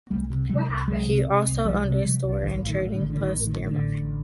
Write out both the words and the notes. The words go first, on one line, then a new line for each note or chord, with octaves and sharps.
He also owned a store and trading post nearby.
C2 G3 A3
C3
C3 F#3 G#3
C2
C2 F#3 G#3
C3
C3
C2
C2 F3 G3
C3
C3 F3 G3
C2
A1 D#3
A2
D#3
A2
D3
A1
D3
A1 D#3
A2
D#3
A2 D#3
D3
A1
A1